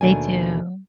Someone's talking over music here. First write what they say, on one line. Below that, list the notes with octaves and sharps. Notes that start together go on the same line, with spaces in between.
They do.
D#2 B2 A3 D4 A#4 G#5